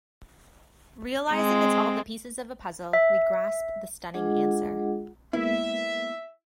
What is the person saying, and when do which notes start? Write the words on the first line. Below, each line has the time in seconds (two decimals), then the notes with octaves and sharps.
Realizing it's all the pieces of a puzzle, we grasp the stunning answer.
1.31 G#3 C4
2.93 E5
4.14 G#3 D4 F4 G#4 D#5 F#5
5.33 G#3 A#3 B3 E4 E5